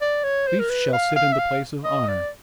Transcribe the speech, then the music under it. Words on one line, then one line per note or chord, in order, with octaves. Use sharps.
"Leif shall sit in the place of honor."
D5
C#5
C5
A#4
B4
F5
F5
E5
F5
D#5
D5